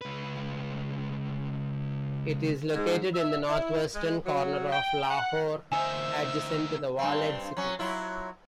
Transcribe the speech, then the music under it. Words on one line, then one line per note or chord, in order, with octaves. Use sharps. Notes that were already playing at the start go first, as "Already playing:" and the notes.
It is located in the northwestern corner of Lahore, adjacent to the Walled City.
C#2 B4
G#2
E5
E4
G#3
F#3
G5
F#5
D2 D#4 C5 E5 G#5 E6
G2 C4
F#3 C#4
F#3 E4 F4